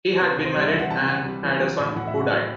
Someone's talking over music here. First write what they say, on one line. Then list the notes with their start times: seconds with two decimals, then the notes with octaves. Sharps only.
He had been married and had a son, who died.
0.15 C5
0.21 C3 B4
0.38 C3
0.44 C5
0.56 G3 D#5
0.68 E5
0.74 E3
0.79 F#5
0.91 C3 A5
1.08 C3 F#5
1.26 G3
1.43 E3
1.61 F#3
1.79 A2
1.96 A2 F#5
2.07 E5
2.14 F#3 F#5
2.31 F#3